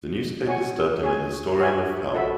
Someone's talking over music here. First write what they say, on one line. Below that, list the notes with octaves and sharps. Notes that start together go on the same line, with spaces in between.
The newspapers dubbed him a historian of power.
F#4 C#5 G#5 C#6
G#4 C#5 G#5
F#4 C#5 E5 G#5
F#4 A4 E5 B5